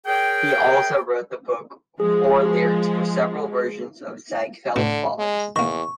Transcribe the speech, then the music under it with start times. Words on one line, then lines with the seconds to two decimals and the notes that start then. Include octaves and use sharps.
He also wrote the book or lyrics for several versions of the Ziegfeld Follies.
0.06 G#4 A#4 C#5 G5
2.00 F3 G#3 G#4
4.76 A2 D3 D4 C#6
5.19 G#3
5.56 E2 D#3 A#3 C#6